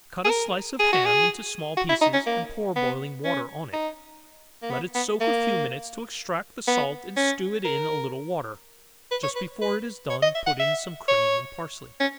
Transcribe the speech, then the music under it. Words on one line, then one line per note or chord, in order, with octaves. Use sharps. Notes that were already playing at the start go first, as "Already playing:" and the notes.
Cut a slice of ham into small pieces, and pour boiling water on it; let it soak a few minutes to extract the salt, and stew it in a little water; just before it is done, put in some cream and parsley.
G#4
A#4
G#4
F#4
G#4
F#4
E4
D#4
C#4
A#3
B3
C#4
D#4
A#3
B3
B3
A#3
B3
C#4
A#4
B4
C#5
B4
B4
C#5
D#5
E5
F#5
E5
C#5
C#4